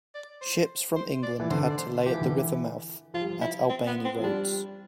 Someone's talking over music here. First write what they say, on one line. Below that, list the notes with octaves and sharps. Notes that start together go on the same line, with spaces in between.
Ships from England had to lay at the river mouth at Albany Roads.
D5
C5
C5
D5
E3
D3 C5
D5
C5
F3 G4
E3
D3
E3
F3 F4
G3
F3
E4
C4
B3
C4
F3
G3 D4